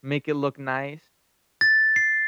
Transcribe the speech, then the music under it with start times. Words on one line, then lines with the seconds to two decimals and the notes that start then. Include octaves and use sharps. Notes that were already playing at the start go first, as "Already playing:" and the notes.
make it look nice.
1.61 A6
1.96 C7